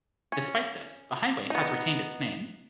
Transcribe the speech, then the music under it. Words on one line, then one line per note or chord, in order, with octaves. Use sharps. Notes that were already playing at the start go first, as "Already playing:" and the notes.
Despite this, the highway has retained its name.
C#4
B3 D#4